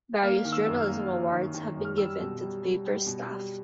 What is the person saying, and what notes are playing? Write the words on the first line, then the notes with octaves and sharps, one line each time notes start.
Various journalism awards have been given to the paper's staff.
A#3 F6
D#3
E6
F#2
F6
A#3
F#3
D#3
D#3
F#2
F6
G3 E6
B2
G3
G3
G3
B2
G3